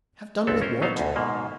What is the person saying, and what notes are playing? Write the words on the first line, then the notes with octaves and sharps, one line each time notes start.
'Have done with what?
G1 C#2 B3 C4 A4
C#4 A#4 C5
F#3 B3 D#4 C5 F5
D2 B2
G#2 B2 A#3